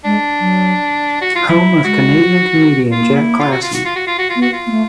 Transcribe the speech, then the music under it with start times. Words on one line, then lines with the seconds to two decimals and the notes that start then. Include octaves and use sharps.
Home of canadian comedian Jack Klassen.
0.05 G#3 D4
0.40 F#3
1.22 F#4
1.35 F4
1.49 F#3 E4
1.84 G#3 F#4
2.92 A#3 F4
3.16 E4
3.40 F4
3.51 F#4
3.62 F4
3.74 F#4
3.85 F4
3.96 F#4
4.07 F4
4.19 F#4
4.30 F4
4.36 B3
4.42 F#4
4.53 F4
4.67 A#3
4.71 A3